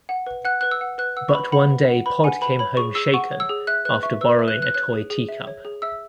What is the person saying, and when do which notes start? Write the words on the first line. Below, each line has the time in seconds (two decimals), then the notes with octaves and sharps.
But one day Pod came home shaken after borrowing a toy tea cup.
0.09 F#5
0.27 B4
0.45 F#5 F#6
0.61 B4 F#6
0.71 E6
0.81 F#5
0.98 B4 F#6
1.16 F#5 E6
1.29 C#6
1.34 B4 B5
1.52 F#5 B5
1.70 B4
1.88 F#5
2.06 B4 B5
2.24 F#5 G#5
2.42 B4 B5
2.59 C#5 B5
2.77 G#4 C#6
2.95 G#4 E6
3.14 F#5 C#6
3.32 C#5
3.40 E6
3.49 G#4
3.67 E5 F#6
3.85 B4 F#6
4.03 E5 C#6
4.21 B4 E6
4.39 E5
4.48 F#6
4.57 B4
4.62 F#6
4.74 C#5 F#6
4.93 G#4
5.10 G#4
5.29 E5
5.47 C#5
5.65 G#4
5.82 E5 E6